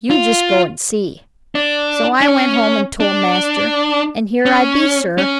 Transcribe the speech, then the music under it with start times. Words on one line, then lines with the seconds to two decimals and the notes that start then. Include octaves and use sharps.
You just go and see.' So I went home and told master, and here I be, sir.
0.10 F4
1.55 D4
2.21 D4
2.28 C#4
3.00 D4
4.46 C#4
5.18 C#4